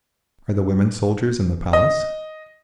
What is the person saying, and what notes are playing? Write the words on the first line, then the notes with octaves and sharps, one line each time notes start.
"Are the women soldiers in the Palace?"
D#5